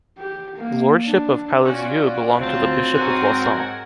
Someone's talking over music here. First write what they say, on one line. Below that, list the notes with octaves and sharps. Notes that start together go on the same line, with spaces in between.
The lordship of Palézieux belonged to the Bishop of Lausanne.
G4
A#3
D4
C#4 F4 F#4 D5
D2 F#3 C4 F4 C5 A5
G#2 F#4 A#4 F#5 G#5